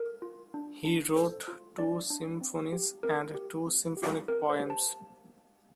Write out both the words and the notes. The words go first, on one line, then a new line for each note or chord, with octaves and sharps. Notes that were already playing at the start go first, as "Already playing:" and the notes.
He wrote two symphonies and two symphonic poems.
Already playing: A4 A#4
F4
D4
D4
A4 C5
F4
D4 D5
D4
C4
G4
C4 A#4
G4
C4
G4
C4 A#4
C5
G4
A5